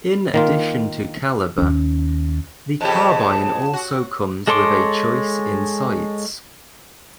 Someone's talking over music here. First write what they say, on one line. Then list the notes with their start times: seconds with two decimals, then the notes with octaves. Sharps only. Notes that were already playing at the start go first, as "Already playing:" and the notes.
In addition to caliber, the Carbine also comes with a choice in sights.
0.34 D#3 A#3 F4
1.58 D#2 C#4
2.81 F2 C#3 G4 A5
3.73 F#4
4.47 G#3 A4 C#5 C6 D6